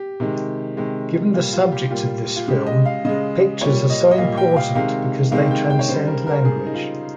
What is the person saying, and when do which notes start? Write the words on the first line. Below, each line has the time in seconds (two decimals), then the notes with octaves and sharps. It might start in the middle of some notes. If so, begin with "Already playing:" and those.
Given the subject of this film, pictures are so important because they transcend language.
Already playing: G4
0.20 C3 D#3 G#3
0.77 C3 D#3 G#3
1.34 A#2 G3 F4
1.53 F4
1.72 G4
1.91 A#2 G3 F4
2.36 F4
2.48 C#3 G#3 G4
2.67 D#5
2.86 F5
3.05 C#3 G#3 D#5
3.61 A#2 G3 C#5
3.90 D#5
4.11 D#5
4.18 A#2 G3 F5
4.37 G5
4.56 F5
4.75 C3 D#3 G#3 F5
5.31 C3 D#3 G#3 F5
5.51 G5
5.70 G5
5.79 C#5
5.88 C#3 G3 C5
6.07 A#4
6.27 A#4
6.45 C#3 G3 G#4
6.67 D#4
6.74 F4